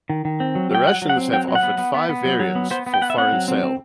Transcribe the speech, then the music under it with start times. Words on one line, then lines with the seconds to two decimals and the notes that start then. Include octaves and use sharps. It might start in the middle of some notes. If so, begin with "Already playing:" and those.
The Russians have offered five variants for foreign sale.
0.10 D#3
0.25 D#3
0.40 C4
0.55 F#3
0.71 F#3 G5
0.86 F#3 F#5
1.02 F#3
1.09 F#5
1.17 C4
1.33 F#3 G5
1.48 F#3
1.55 F#5
1.63 B3
1.78 B3
1.94 B3
2.09 B3
2.25 F#3
2.40 F#3
2.55 B3
2.71 B3 C5
2.86 B3
2.94 G5
3.02 B3 F#5
3.10 E5
3.17 C4 F#5
3.32 F#3
3.48 C4
3.63 C4